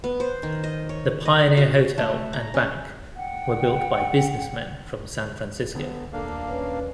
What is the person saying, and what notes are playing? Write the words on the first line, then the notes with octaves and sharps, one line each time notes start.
The Pioneer Hotel and Bank were built by businessmen from San Francisco.
B3
C5
D#3
D#5
C#5
D#5
F#4
A3
A#5
C#4
F#5 G5
D3 B3
D#1 A#3 D4 A4 F5
C#4 B4